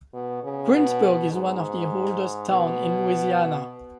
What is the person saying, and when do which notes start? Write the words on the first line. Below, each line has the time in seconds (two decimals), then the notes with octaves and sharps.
Greensburg is one of the oldest towns in Louisiana.
0.14 B2
0.43 C#3
0.73 B2
1.32 G#2
2.49 B2